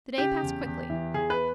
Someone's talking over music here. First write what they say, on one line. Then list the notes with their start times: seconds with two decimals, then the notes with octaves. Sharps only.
The day passed quickly.
0.18 C#3 G4
0.43 E2
0.66 E2
0.90 E3
1.14 E2 G#4
1.30 B4